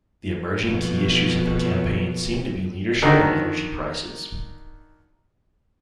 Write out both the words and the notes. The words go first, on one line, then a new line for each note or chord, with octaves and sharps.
The emerging key issues of the campaign seem to be leadership and energy prices.
F2 B2
D3 D#3 D#4 F#4 A#4